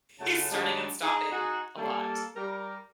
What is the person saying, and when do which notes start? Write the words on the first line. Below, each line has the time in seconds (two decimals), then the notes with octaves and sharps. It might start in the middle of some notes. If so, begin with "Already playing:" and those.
he's starting and stopping a lot.
0.20 F#2 C#3 F#3 A3 F#5 A5
0.51 G2 D#3 F#3 G#3 G4 A5
1.02 D#4 G#4
1.32 D#4 F#4 G#4
1.77 G3 A#3 A4
2.36 G3 A#4